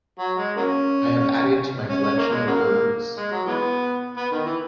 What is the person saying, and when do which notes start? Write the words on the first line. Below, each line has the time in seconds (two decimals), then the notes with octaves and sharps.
I have added to my collection of birds.
0.19 F#3
0.38 G#3
0.57 F#3 A#3 C#4
1.90 C#4
2.03 C#4
2.18 A#3
2.32 G#3
2.47 C#3 F#3 A#3
3.17 G#3
3.31 F#3
3.46 E3 G#3 B3
4.17 B3
4.32 D#3
4.45 E3